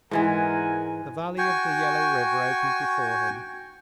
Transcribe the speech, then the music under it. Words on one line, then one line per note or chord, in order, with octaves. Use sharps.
The valley of the Yellow River opened before him.
G#2 E3 G#3 A#4 F#5 G#5
F#4 G5 G#5 C#6